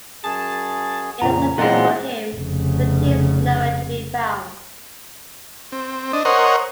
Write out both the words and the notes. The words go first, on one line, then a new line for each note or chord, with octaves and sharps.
Ann searches for him, but he is nowhere to be found.
F#2 G#4 A5
F2 A#2 C#3 A#5
E2 A#2 F#3 G#3 C4 F4 F#5 C6
F1 C#3
C4
D4 D#5
A#4 C5 C#5 D#5 F#5